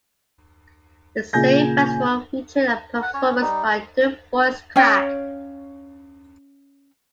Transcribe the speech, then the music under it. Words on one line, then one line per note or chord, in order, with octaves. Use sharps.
The same festival featured a performance by duo Voice Crack.
A#2 C#3 G#5 G6 A#6
F#5
C#4 C#5
G3 D#4
C#4 C#5 F5 G5